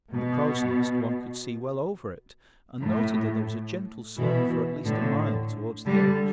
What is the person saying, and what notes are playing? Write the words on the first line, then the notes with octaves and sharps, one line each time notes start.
From the crow's nest one could see well over it, and noted that there was a gentle slope for at least a mile towards the edge.
B2
A2
B2 E3
A2 D3
D3 G3